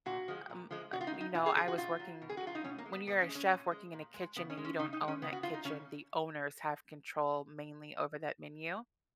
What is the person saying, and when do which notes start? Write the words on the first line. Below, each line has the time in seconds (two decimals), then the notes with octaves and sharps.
mm, uh, you know, I was working w when you're a chef working in a kitchen and you don't own that kitchen, the owners have control mainly over that menu.
0.06 A#2 F#4
0.28 F3 G#3
0.50 A#2
0.71 F3 G#3
0.92 B2 F#4
1.01 F4
1.07 D#4
1.14 F#3
1.20 D#4
1.35 B2 F4
1.46 G#4
1.56 F#3 G#4
1.68 F#4
1.78 B2 F4
1.99 F#3
2.22 B2
2.29 G#4
2.37 F#4
2.43 F#3 F4
2.55 D#4
2.64 B2 C#4
2.78 A#3
2.86 G#3
2.93 B3
3.07 B2 B3
3.21 C#4
3.29 G#3
3.35 C#4
3.50 A#2
3.71 G#3
3.93 A#2
4.14 G#3
4.36 C#3 B3
4.50 C#4
4.57 G#3
4.65 C#4
4.79 C#3 D#4
4.93 D#4
5.01 G#3
5.08 C#4
5.22 C#3 B3
5.32 F#4
5.43 F#3 F4
5.54 D#4
5.64 C#3 C#4